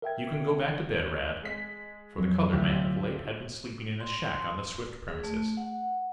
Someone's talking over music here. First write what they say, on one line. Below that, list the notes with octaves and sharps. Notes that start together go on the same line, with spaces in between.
"You can go back to bed, Rad," for the colored man, of late, had been sleeping in a shack on the Swift premises.
A#4 E5 G5 G#6
G#3 B6
F2 F#3
D2 E4 F4 G4
C6
G#4
A3
F#5